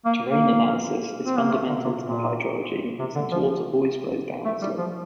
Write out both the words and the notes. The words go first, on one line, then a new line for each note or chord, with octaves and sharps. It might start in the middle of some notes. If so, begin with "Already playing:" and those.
Terrain analysis is fundamental to hydrology, since water always flows down a slope.
A#3
A#3
C4
A#3
A3
D3
C3
A#2
C3
D3
F3
A3
G3
F3